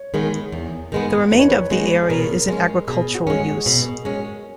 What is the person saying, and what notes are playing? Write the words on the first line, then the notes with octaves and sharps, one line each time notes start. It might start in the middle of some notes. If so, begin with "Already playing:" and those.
The remainder of the area is in agricultural use.
Already playing: C#5
D#3 G#3 B3
E2
D#3 G#3 B3
E2 B4
C#5
B4
D#3 G#3 B3
G#4
B2 A#4
G#3 C#4
B2 G#4
F#4
G#3 C#4
G#4
B2
G#3 C#4